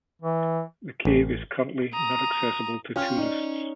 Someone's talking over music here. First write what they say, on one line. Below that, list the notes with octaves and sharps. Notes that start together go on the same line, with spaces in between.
The cave is currently not accessible to tourists.
E3
A1
A#5 D#6
C#4 F4 G5 F6
D#4 D5